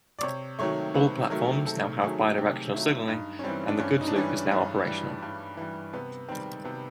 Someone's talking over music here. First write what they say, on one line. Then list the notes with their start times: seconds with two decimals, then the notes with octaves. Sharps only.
All platforms now have bi-directional signalling, and the goods loop is now operational.
0.19 D5
0.23 C3 C#5
0.59 D#3 F#3 A3 C#5
0.94 C3 B4
1.30 D#3 F#3 A3 A#4
1.66 C3 A4
2.01 D#3 F#3 A3 G#4
2.38 C3 G4
2.73 D#3 F#3 A3 E4
3.08 G2 D#4
3.39 C#4
3.44 E3 G3 C4
3.68 D4
3.80 G2 C#4
4.01 D#4
4.07 D4
4.15 E3 G3 C#4
4.51 G2
4.86 E3 G3
5.23 G2
5.57 E3 G3
5.93 C3 B3
6.29 D#3 G3 C4
6.65 C3 B3